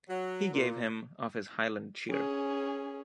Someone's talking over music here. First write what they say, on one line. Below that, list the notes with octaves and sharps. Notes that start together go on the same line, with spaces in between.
He gave him of his highland cheer.
F#3
A#2
C#4 G#4